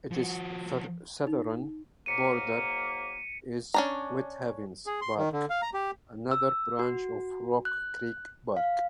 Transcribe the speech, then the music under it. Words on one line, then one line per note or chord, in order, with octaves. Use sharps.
Its southern border is Whitehaven Park, another branch of Rock Creek Park.
F3 F#4
D#4
G#2 F#3 A#3 B6 C#7 D#7
C#4 D4 A#5
G#4
C6
D#3
D3
F5
A#5
G4
E6
F#4
F#6
F5